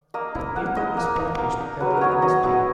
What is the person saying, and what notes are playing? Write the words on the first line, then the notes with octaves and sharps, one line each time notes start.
The paper is published every Wednesday.
A#3 D#5
E4
A#3 F#5
E4 D#5
A#3 D#5
D#4
A#3
D#4
F#3 B4
A#4
B3 E4 C#5 D#5
D#5
F#3 D#5
B3 E4